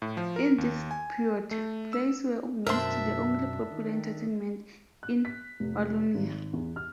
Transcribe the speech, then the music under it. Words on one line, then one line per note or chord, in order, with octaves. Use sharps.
In this period, plays were almost the only popular entertainment in Wallonia.
A2
F3
A#4
D#2
G#5
A3
E6
F#2 B2 D4 A#4 C5 E5 C6
D#3
F#6
B6
F1
G#1
E2
F6